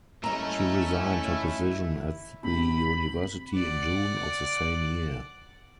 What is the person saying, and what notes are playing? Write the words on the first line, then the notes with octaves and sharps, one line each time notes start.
She resigned her position at the university in June of the same year.
A3 C#4 E4 A4 D#5 A#5
C3 B5
D5 F#5